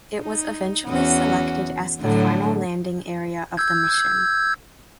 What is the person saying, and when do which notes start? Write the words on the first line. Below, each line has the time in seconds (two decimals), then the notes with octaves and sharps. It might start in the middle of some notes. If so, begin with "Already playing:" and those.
It was eventually selected as the final landing area of the mission.
0.23 D#4
0.88 E2 C#4 F#4
2.00 A2 D3 F#3
3.57 E6 G6 G#6